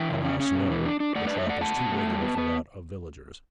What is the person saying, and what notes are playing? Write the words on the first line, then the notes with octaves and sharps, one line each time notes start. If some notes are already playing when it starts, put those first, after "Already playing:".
Alas! no; the tramp was too regular for that of villagers.
Already playing: E3 E5 G5
C#3
C#4
C#4
B2
E3
D4
D4
A3 D5 F#5
D4 B4 D5
C#5 E5
A3 D5 F#5
A3 F#5 A5
B2
A3
G2
B3
B3